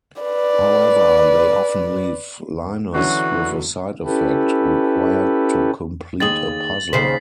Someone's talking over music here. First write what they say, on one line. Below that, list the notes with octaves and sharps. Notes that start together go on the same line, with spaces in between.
However, they often leave Linus with a side-effect, required to complete a puzzle.
B4 D5
D3 E3 F#3 C#4 F#4
C#4 E4 G4 A4 B4
D#2 G#4 A6 F#7
D#2 C#3 C5 B6 C7